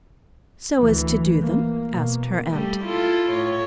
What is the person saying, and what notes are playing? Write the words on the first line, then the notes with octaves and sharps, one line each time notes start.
"So as to do them?" asked her aunt.
D2 E3
A#3
B2 A#3
G3 A3
E4 F4 A4
A2 C#5